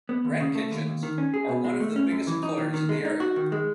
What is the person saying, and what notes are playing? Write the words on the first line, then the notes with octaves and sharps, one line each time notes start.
Wren Kitchens are one of the biggest employers in the area.
B3
D#2
C#3
A3
D#2
D#2
D#3
C#4
G#4
B2
G#3
A3
C#4
F#2
E3
D#4
D#3
D#3
G#3
D#4
F#4
D#3
G#3